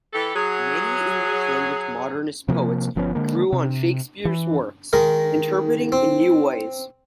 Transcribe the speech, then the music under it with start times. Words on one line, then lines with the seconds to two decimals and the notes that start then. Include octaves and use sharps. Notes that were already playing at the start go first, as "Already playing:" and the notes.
Many English-language Modernist poets drew on Shakespeare's works, interpreting in new ways.
0.13 E3 G4 A4
0.35 F#3 G#4
2.48 C3 F3 F#3 A#3
2.96 G1 F3 B3 C#4
3.15 D3 G#3 A#3
3.52 C3
4.25 E3
4.93 D#3 G#3 A#4
5.92 C4